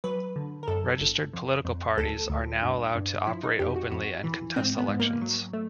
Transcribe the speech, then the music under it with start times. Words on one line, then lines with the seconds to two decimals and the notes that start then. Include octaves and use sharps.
Registered political parties are now allowed to operate openly and contest elections.
0.04 F#3 B4
0.36 D3
0.63 A#4
0.68 F#2 A4
1.01 G1
1.33 F2
1.65 F2
1.98 D2 A4
2.29 D2
2.62 G2
2.95 G2
3.27 F3 E4
3.43 D#4
3.59 F2 G4
3.76 F#4
3.92 F2 F#4
4.24 E3
4.56 G#2 C4
4.78 B3
4.88 G#2
5.00 A#3
5.22 F#3
5.53 A3